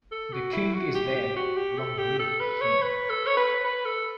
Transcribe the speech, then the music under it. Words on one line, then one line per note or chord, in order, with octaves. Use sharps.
The king is dead, long live the king.
A4
F#4
E4
F#4
G4
G4
F#4
G4
A4
G4
A4
B4
C#5
B4
A4
C#5
B4
B4
A4